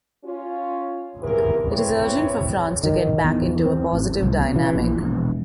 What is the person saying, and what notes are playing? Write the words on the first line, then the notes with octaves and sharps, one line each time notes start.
It is urgent for France to get back into a positive dynamic.
C#4 F4
C3 E3 B3 G#4 A#4
C4 E4 G#4 B4 C#5
D#3
E2
C4
A1
C2
B2
E3
A#1
E1